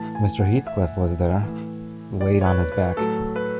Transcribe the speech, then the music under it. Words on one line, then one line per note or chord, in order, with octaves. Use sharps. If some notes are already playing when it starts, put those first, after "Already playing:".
Mr. Heathcliff was there — laid on his back.
Already playing: A2 E3 A5
G#5
F#5
E5
A2 E3
D5
C#5
B4
B4
A2 F#3 A4
B4